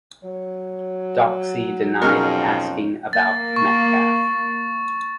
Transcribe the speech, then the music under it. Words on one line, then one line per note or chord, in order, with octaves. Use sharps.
Doxey denied asking about Metcalfe.
F#3 C#5
F2 B2 C#4 D#4 G#4 A#4
A#3 A6
C#6